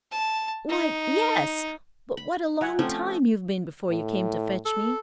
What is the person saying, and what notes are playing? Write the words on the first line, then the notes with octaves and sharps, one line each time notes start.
"Why, yes; but what a long time you have been before you came to fetch me."
A5
D#4
B5
F#3 E5 F#5 G#5
F3 A3 C4 C#4
A2
A4